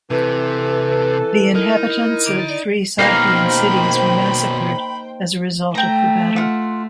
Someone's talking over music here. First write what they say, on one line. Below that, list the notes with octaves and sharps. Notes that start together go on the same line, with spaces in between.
The inhabitants of three Sogdian cities were massacred as a result of the battle.
C3 E3 A4 B4
D#4 E4 A#4
B2 D#3 A#3 D#4 C5 F5 G5 B5
A3 G5 A#5
F4 F#5